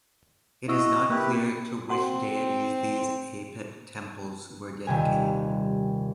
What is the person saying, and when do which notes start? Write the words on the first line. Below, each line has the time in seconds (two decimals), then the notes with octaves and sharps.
It is not clear to which deities these Apit temples were dedicated.
0.68 E4 F#4 D#5 E6
1.10 A#3 E4 G4 B4
1.89 C4 F#4 F#5 C6
4.87 D#1 C3 G3 G#5